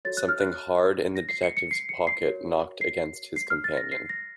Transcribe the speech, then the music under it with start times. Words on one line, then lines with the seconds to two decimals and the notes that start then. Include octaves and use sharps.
Something hard in the detective's pocket knocked against his companion.
0.05 F#4 A4 C#5 A6
0.17 F#6
0.29 F6
0.40 F#6
1.16 A#6
1.29 C7
1.43 C#7
1.57 C#7
1.71 C7
1.89 C#7
2.07 C7
2.26 F#4 A#4 C#5
2.81 C7
3.36 C7
3.50 F6
3.64 A6
3.77 A#6
3.92 C7
4.09 A#6